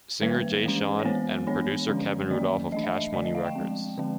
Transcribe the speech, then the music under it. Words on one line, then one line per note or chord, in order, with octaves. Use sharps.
Singer Jay Sean and producer Kevin Rudolf of Cash Money Records.
D#3 G3 A#3 B4
E3 G#3 C#4
C#5
E3 G#3 B3 C5
E3 G#3 B3 D4 C#5
D3 F3 G#3 C#4
D#3 F#3 A#3 C#4 D5
E3 A3 D4 D#5
E5
D#5
D3 F3 A3 D5
D#5
F5
G5
F3 G#3 C4
D3 F3 G#3 C4